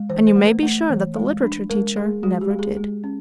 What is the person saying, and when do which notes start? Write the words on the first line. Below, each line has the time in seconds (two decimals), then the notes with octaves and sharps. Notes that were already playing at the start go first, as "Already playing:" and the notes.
And you may be sure that the literature teacher never did.
Already playing: G#3
0.09 E3 C5
0.27 C5
0.36 A3
0.45 B4
0.63 A3
0.90 E3
1.16 G#3
1.43 D4
1.70 G#3 A#4
1.96 G#3 G#4
2.23 G#3 F#4
2.41 G4
2.50 G#3
2.59 G#4
2.77 G#3
3.04 C#4